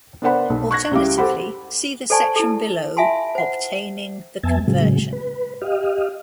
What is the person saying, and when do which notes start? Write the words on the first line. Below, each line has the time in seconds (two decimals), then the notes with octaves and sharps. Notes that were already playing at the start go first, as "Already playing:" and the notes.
Alternatively, see the section below: "Obtaining the conversion".
0.22 B3 D4 A#4 C5 F#5 B5
0.50 B1
0.71 C#6 F#6 G#6 A#6
0.91 C#2 G3 E4 F5 D6
1.18 G4 A4 C5 F#5 B5
2.10 A4 C5 D5 G#5 A5 C#6
2.36 E4 A4
2.97 F4 E5 F5 G#5 A5 C6
3.35 C5 F#5
4.43 F2 B3 E5 G#5 A5
4.67 A2 C#3 F#3 G#3
5.13 B4
5.62 G4 D#5 F5